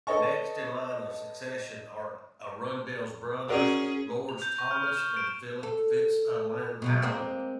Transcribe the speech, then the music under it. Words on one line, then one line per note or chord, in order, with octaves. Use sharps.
Next in line of succession are Arundel's brothers, Lords Thomas and Philip Fitzalan-Howard.
A4 B4 C#5 D#5 A5 C#6
C#4 F#4 G#4 A#4 D5
F7
G6
C#6
F6
F6
E7
D7
A4
B2 F#3 G#3
G#3 A#3 C4